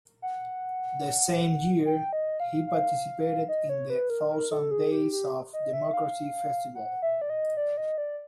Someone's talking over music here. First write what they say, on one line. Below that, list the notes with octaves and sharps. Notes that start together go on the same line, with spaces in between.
The same year, he participated in the Thousand Days of Democracy festival.
F#5
G5
D#5
F5
F5
D#5
C#5
B4
A#4
A#4
A4
G#4
G4
G4
D#5
E5
F5
F#5
E5
D5
D#5
D5
D#5
D5